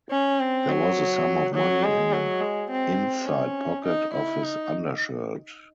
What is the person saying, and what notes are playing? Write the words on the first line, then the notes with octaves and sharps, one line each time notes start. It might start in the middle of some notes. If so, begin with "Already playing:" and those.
There was a sum of money in an inside pocket of his undershirt.
C#4
C4
F#3
F#3
G#3
F#3
G#3
C4
C#4
D#4
E4
D#4